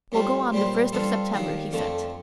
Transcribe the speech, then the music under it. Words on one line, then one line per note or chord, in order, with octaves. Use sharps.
"We'll go on the first of September," he said.
A2 G3 C4 F4
A#2 G3 C4 G4
G2 F3 C4 F4 A4
D#2 D#3 A#3 D4
F2 D3 F3 A3